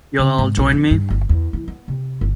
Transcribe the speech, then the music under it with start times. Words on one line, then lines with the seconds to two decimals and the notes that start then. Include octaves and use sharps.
You'll join me?
0.19 C#3
0.38 G#2
0.57 B1
0.72 F2
0.91 G2
1.10 G1
1.29 E2
1.53 E3
1.68 B3
1.88 C3
2.21 G1